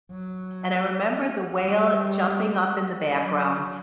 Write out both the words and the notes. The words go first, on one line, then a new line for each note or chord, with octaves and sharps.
and I remember the whale jumping up in the background
F#3
G3
F#3